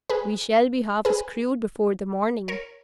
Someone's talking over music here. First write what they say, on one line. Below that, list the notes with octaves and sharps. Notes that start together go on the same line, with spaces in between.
We shall be half screwed before the morning.
G#4 B4
G#4 B4
A#4 C#5